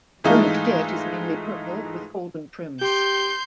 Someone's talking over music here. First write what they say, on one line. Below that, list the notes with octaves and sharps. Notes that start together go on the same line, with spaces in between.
The current kit is mainly purple with golden trims.
G#2 E3 G#3 A3 D#4 F4
G4 C6 G6